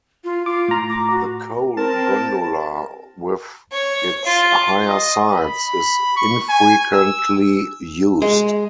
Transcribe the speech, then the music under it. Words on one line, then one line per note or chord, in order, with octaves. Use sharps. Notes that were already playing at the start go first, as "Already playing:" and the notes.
The coal gondola, with its higher sides, is infrequently used.
F4
F4 D6
A2 A#5
D6
F#4
C4 A#4 A5
C#5
F4
D#5
B5
C#6
G#5
E6
G#3